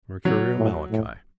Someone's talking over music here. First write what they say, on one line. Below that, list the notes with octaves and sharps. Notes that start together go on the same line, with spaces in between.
Mercurial Malachi.
F#3
A2
A2